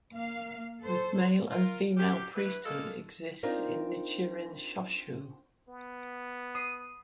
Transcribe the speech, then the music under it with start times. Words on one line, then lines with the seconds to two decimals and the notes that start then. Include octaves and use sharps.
Both male and female priesthood exists in Nichiren Shoshu.
0.13 A#3 F5
0.81 A4 C5
1.51 F4 A#4
1.97 F#3 G3 G4
2.36 G2 E3 B4
2.65 A#2 G#3 A#3 F4 A4
3.43 C4 D4 D#4 F4 A#4 C5
5.69 B3
6.55 D#6 C7 D#7